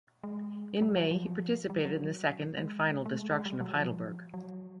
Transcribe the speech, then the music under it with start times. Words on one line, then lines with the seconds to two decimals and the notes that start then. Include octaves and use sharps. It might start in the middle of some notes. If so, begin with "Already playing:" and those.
In May, he participated in the second and final destruction of Heidelberg.
0.24 G#3
0.82 G3
0.96 F#3
1.11 F3
1.70 G3
1.85 F#3
2.57 G#3
3.06 A3
3.17 G#3
3.31 G#3
3.46 G3
3.61 F#3
3.75 F3
4.34 F#3